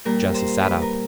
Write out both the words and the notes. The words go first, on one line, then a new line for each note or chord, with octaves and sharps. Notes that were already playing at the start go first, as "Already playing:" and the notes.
Jesse sat up.
A#2 G3 A#4
C5
B4
A#4